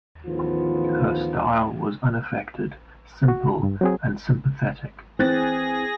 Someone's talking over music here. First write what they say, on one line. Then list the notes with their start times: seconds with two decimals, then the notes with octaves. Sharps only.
Her style was unaffected, simple, and sympathetic.
0.25 A1 D#3 F3 B3 F4
3.28 F#4
3.63 G2
3.81 F#3 C4 G#4
5.19 E3 C4 G#4 F#6 A6 A#6